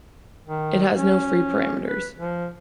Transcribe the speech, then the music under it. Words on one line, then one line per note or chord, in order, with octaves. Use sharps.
It has no free parameters.
D#3
C#4
B4
F3